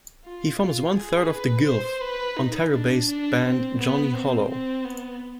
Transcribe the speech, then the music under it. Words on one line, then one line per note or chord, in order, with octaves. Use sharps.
He forms one third of the Guelph, Ontario based band Johnny Hollow.
F4
F4
G#4
B4
C5
B4
D#4
D4
D4
C4
B3
C4
C4
B3